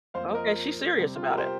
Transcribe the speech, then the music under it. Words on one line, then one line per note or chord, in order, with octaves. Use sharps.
Okay, she's serious about it.
F2 F3 A#3 C5 F5
A#4 D#5
C3 G3 C4
F4
G4
A#4
G4 C5